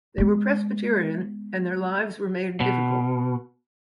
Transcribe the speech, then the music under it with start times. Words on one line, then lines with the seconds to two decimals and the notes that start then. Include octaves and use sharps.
They were Presbyterian and their lives were made difficult.
0.18 G#3 B3
2.60 B2